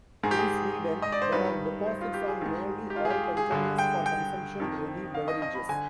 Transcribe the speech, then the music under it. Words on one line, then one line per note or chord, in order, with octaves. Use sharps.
In Sweden, there are deposits on nearly all containers for consumption-ready beverages.
G#2 D#3 G#4
G4
G#4
D#5
D5
C5
G2 D#3 B4
C5
F4
G4
G#4
G#2 D#3
G4
F4
G#4
G4
G#4
G#4
G2 D3 G#4
G5
G5
F2 D#3
F5
D#5
D#5
B5
D3 G#5